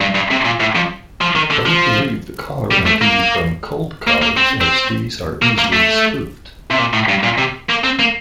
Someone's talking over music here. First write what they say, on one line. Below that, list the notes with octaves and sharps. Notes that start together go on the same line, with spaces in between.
Don't believe the caller id from cold callers as these are easily spoofed.
G2
G2
C3
A#2
A2
F2
F3
D#3
D3
F3
G3
A3
A#3
A#3
A#3
C4
C4
A#3
A#3
A3
C3
A#2
A2
G2
A#2
C3
A#3
C4
A#3